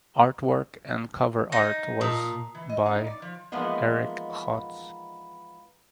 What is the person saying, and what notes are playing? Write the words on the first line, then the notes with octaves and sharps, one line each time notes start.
Artwork and cover art was by Eric Hotz.
D#4
A#2 A5 A#5 D#6
E3
D#5
D#4
D5
F3
E3 F3 G#3 A#3 B3 D#4